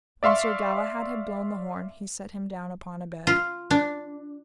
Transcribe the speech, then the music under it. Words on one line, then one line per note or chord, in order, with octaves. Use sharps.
When Sir Galahad had blown the horn he set him down upon a bed.
D5 E5 F5 C6 C#6
F4
D4